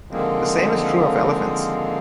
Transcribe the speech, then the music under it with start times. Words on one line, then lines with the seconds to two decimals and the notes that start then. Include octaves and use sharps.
The same is true of elephants.
0.11 D3 D#3 F3 G#3 A#3 C4